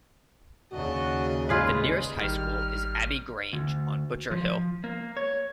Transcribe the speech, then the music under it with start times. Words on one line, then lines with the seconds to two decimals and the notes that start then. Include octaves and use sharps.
The nearest high scool is Abbey Grange on Butcher Hill.
0.73 D#2 C#3 D4 F#4 D#5
1.49 G#3 F4 G#4 B4
2.21 G#1 D#3 G3 F6
3.53 D2
4.31 F3
4.84 A#3
5.17 C#5